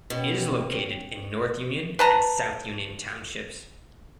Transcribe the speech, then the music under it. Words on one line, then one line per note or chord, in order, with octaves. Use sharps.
It is located in North Union and South Union townships.
B2 C#4 C#5 G5
B4 A5 A#5